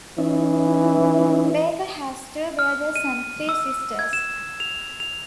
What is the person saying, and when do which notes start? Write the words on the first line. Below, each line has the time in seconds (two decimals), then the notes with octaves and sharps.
Baker has two brothers and three sisters.
0.18 E3 C#4 D#4 E4
2.59 F6
2.96 D#7
3.49 E6
3.99 G#6
4.13 E7
4.60 F7
5.00 F7